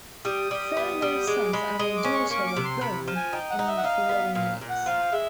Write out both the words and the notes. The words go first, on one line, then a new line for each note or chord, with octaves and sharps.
Four more sons and a daughter were born in the following years.
G3 D#6
G3
B3
G3
G#3 D6
G#3 B5
G#3 D#6
D6
C#4
C#6
A#3 C#6
D6
C3
C6
C3 B5
F3
G#5
D#4 G5
F#5
D#4
E5
F#5
D#4 F5
B3
A#2 F5
A#2
F#5
F3 F5
G#3 E5